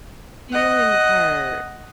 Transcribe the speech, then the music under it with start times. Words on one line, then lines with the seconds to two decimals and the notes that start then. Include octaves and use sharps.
feelings hurt.
0.52 D#5 F#5